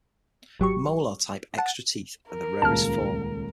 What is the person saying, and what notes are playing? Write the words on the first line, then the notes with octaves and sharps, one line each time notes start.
Molar-type extra teeth are the rarest form.
G#1 F#3 G4 C#6
F#5 A5
A#4
D#1 C#2 A5 F6